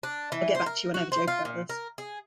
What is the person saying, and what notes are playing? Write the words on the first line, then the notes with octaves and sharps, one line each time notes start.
I'll get back to you when I have a joke about this.
D4
E3
C5
A#4
F#4
C5
F4
A#2
A#4
G#4